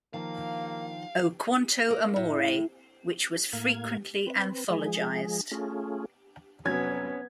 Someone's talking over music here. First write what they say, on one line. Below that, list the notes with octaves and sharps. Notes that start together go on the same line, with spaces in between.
O quanto amore, which was frequently anthologised.
D#3 F3 A#3 F5
A#3
A2
A2 A#3 F5 G#6
C4 B4
F3 G#3 G#4
A3 C#4 F4 G#4
F1 F#3 B3 C#4 G#6